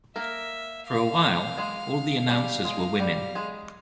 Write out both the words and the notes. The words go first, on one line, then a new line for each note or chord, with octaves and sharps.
For a while, all the announcers were women.
A#3 A#4 E5
F5
G#3 G#4
G3 G4
G#3 G#4
G3 G4
G#3 G#4